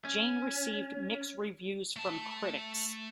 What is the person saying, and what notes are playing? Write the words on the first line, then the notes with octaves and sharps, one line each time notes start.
Jane received mixed reviews from critics.
C#4
A3 A5